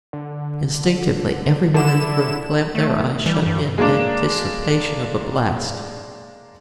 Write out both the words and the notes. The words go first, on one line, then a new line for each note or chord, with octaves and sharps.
Instinctively, everyone in the room clamped their eyes shut in anticipation of a blast.
D3
D3 E4 E7
A3
E3 G3
G2
G#3 A#3 D4